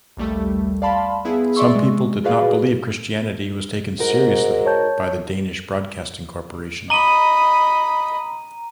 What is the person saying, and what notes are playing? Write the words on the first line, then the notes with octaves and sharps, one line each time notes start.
Some people did not believe Christianity was taken seriously by the Danish Broadcasting Corporation.
A#1 D#2 G3 A3
D5 F5 A5 B5 C6
B3 E4 G#4
D5 E5 C6 C#6 E6
G#3
F4 F#4 G#4 B4 D5 F5
G#2 D#4 F#4 A#4
C#5 A5 G6
D#5 A#5 B5 D#7